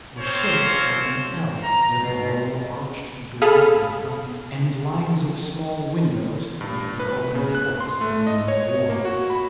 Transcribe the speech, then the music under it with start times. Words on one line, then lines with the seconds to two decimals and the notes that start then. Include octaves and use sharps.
It was shaped like an L, with a low arched door in front, and lines of small windows like the open ports of a man-of-war.
0.18 A#3 C4 C#4 C5 C#5
1.63 A#5
2.01 B2
3.42 G#4 A4 F5 B5 D#6 F6
6.61 G2
7.00 B4
7.35 C#3
7.55 F#6
7.81 C6
8.01 A3
8.27 D#5
8.48 C#5
8.90 A#3
9.05 F#4
9.30 B5